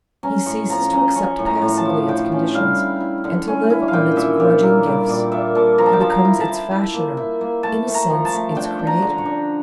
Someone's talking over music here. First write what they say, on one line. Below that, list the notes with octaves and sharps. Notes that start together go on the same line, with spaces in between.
He ceases to accept passively its conditions, and to live on its grudging gifts; he becomes its fashioner, in a sense its creator.
C#4 A#5
A2 C#6
F3 A#5
C#4 A#5
C#4 C#6
A2
A#5
A2
A5
F3
D3 G5
C#4
G3 F5
E4
E4
D3
C#4
E4
F5
A#2 G5
A#2 E5
A#2 G4
A#2 A#4
G3 D5
A#2 D5
A#2 E5
A#2 A5
F3 A#5
A5
G5
F3 A5
A#5
E4
A5
E4
E4
A#3
E4
A#3
A3 A5
A3
A#5
F3
A5
A3
D4 G5
D4
A#5
D3
C#6
D4